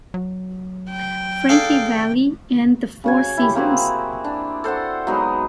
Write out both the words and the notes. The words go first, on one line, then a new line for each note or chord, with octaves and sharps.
Frankie Valli and the Four Seasons.
F#3
G5
G#4 A4 D5 F5
C#3 F#4 G#5
E4 G4
A#3 C4 F#4 G#4
D4
A4 C5 F#5 C6
F#3 G#3 B3 D#4